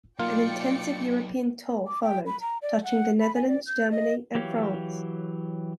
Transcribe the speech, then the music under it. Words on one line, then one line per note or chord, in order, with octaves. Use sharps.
An intensive European tour followed, touching the Netherlands, Germany and France.
F#3 A#3 D#4 F4 D5 G5 C#7
D6
G5
B5
A#5
D5
F#5
B5
G#5
D5
G6
D#5
E3 F#3 G4 C#5 F5